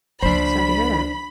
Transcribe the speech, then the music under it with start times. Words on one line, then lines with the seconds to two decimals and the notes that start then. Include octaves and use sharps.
Sorry to hear that.
0.22 C#2 F3 D4 C5 B5